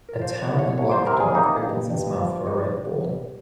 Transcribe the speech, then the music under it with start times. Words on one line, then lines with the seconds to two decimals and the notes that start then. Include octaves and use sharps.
A tan and black dog opens its mouth for a red ball.
0.09 A#4
0.22 F3 C5
0.41 C#5
0.49 C2
0.59 C#5
0.78 C2 C#5
0.92 C5
1.06 C3 A#4
1.20 G#4
1.34 A#3 D#4
1.63 G2
1.90 G2
2.18 F3
2.46 C4 D#4
2.74 G2
3.03 G2